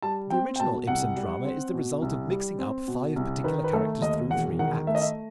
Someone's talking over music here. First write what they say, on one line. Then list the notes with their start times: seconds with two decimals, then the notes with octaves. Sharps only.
The original Ibsen drama is the result of mixing up five particular characters through three acts.
0.02 G3 A5
0.30 C4 G5
0.56 G5
0.60 B2 A5
0.87 C2 F#5
1.17 G3
1.44 C4
1.74 B2
2.02 C2
2.31 G3
2.59 C4
2.88 B2
3.16 C2
3.44 D#3 B4
3.64 B4
3.73 A3 A4
4.01 D#2 D#5
4.30 E1 F#5
4.59 D#3 F#5
4.87 A3 E5
4.95 D#5
5.02 E5